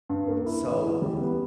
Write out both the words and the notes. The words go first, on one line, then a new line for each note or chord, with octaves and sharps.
So, eh eh
G2
A#3
E4
E3
E2
G3
B3